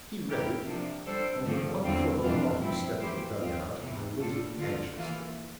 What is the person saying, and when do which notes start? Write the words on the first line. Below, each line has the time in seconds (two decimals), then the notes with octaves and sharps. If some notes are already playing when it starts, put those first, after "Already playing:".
He read it; and with one foot on the bottom step of the dugout I waited anxiously.
0.27 E3 A#3 E4 G4 A#4
0.66 C3 F3 A#3 D4
1.05 G3 D4 A4 C5
1.44 G2 D3 F3 A3 C4
1.83 E2 D3 G3 C4 F4
2.22 F2 E3 G3 D4 F4
2.61 G2 F3 C4 E4
3.00 E3 A#3 E4 G4 C5
3.39 F3 C4 F4
3.79 E2 C3 E3 A#3
4.18 A2 G3 D4 F4 A4
4.57 D3 F3 A#3 F4
4.96 E3 A#3 F4